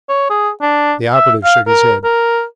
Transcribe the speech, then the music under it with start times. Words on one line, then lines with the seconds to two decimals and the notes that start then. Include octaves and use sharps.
The operative shook his head.
0.09 C#5
0.30 G#4
0.61 D4
1.13 E5
1.44 F5
1.67 A#4
2.04 A#4